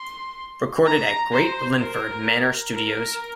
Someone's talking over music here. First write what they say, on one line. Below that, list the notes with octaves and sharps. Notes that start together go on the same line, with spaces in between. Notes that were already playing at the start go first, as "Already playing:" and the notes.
Recorded at Great Linford Manor Studios.
Already playing: C6
A#5
C5
A#4
A#4